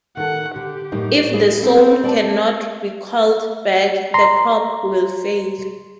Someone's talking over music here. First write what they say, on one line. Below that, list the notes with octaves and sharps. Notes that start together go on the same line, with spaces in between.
If the soul cannot be called back, the crop will fail.
D#3 A4 F#5
D3 G4
F#2 A2 D#4
E4 G#4 D5
C4 E4 A4 C5
D5 A5
A#5 C6